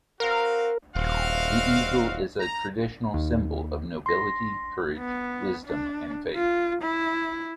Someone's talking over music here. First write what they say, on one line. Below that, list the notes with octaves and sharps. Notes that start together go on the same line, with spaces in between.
The eagle is a traditional symbol of nobility, courage, wisdom, and faith.
C4 F#4 A#4 F5
D#1 C4 F#4 F5
A#5
D#2
C6 A#6
B3
D4
F4
E4